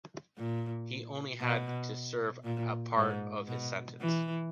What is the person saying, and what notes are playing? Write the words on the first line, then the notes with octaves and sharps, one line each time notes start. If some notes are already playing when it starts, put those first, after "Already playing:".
He only had to server a part of his sentence.
A#2
B2
A#2
G#2
B2
E3